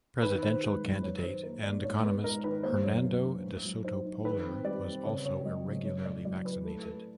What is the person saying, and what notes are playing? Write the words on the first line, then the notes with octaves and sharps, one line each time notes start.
Presidential candidate and economist Hernando de Soto Polar was also irregularly vaccinated.
D#3 B4
D#3 C5
G#3
F#2
D#3 C#5
D#3 C5
A#3 A#4
A#3 D5
G#2 C#5
B3 B4
G#2 A#4
D#3 B4
A#3 C5
F#2 C#5
A#3
D3
A2
F#3
D#4 C5
D#4
D#3 B4
C4
G3 D5
C4
C#3 C#5
C#3 C#5
F#3 D#5
C#3
F#3 C#5
A2 D5
F#3 D5
E4 B4
A3
A3